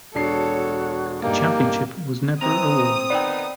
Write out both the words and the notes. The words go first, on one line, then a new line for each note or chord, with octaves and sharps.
The championship was never awarded.
E1 D4 F#4 A4 C#5 C7
G2 A#3 D#4 G4 D5
E3 C4 A#5 D#6 F7
D#3 B3 D#4 D5 G5 B5